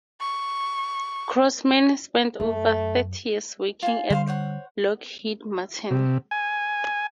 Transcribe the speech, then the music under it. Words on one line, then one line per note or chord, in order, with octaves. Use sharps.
Crossman spent over thirty years working at Lockheed Martin.
C#6
F#2 A3
F4 G#5
D3 G3 C5 F5 C6
C5 C#5 F#5
C3
G#5